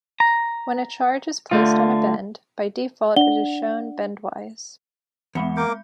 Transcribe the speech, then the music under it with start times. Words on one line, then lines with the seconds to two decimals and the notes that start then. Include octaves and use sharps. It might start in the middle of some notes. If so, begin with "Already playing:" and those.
When a charge is placed on a bend, by default it is shown bendwise.
0.20 A#5
1.51 D3 A3 F4
3.16 D4 D5 F#5 G7
5.35 E2 G#3 B5 C#7
5.57 A#3 A#4 D6 G6